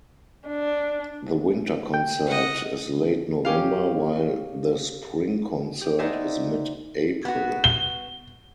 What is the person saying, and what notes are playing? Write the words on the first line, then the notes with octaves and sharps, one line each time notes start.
The winter concert is late November, while the spring concert is mid-April.
D4
G5
D#5 F#5
C#4 G4 F5
G4
B3 D#4 C5 D5 E5 G#5
B3 F#4
G7